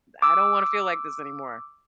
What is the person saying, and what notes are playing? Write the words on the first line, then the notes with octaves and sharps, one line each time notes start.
I don't wanna feel like this anymore."
D6 E6